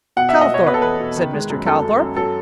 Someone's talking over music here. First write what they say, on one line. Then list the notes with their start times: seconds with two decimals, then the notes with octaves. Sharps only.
"Calthorp," said Mr. Calthorp.
0.17 B2 F#5
0.29 B2 E5
0.41 D#5
0.50 B2 C#5
0.66 B2 B4
0.74 A4
0.82 E2 B4
1.00 B2
1.16 D#3
1.33 G#3
1.50 F#2
1.66 F#2 A4
1.83 F#2
1.99 F#2
2.16 F#3 A4